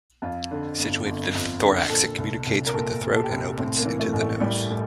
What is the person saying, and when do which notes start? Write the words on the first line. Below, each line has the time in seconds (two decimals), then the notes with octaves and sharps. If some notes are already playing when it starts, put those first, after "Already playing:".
Situated in the thorax, it communicates with the throat and opens into the nose.
0.22 F2 F4
0.51 D3
0.79 G1
1.06 G1
1.35 F2
1.62 D3
1.89 A#2 A4
2.18 C2
2.47 C2
2.67 A#4
2.74 A#2 A4
3.01 A#2
3.16 A4
3.23 G4
3.30 C2 A4
3.58 A2 C4
3.78 A#3
3.85 E3
4.00 A3
4.13 A1
4.21 A3
4.41 A1 G3
4.70 A2